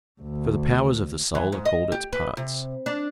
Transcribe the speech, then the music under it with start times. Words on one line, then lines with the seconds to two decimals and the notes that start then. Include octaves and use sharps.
For the powers of the soul are called its parts.
0.21 D2
1.35 E3
1.52 G#2
1.65 D#5
1.92 G4
2.13 B4
2.37 C3
2.86 D4